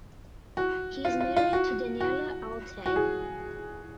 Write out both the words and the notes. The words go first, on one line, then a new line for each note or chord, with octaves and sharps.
He is married to Daniella Altay.
F#4
F4
F4
F4
F#4
F#4
F#4
G#4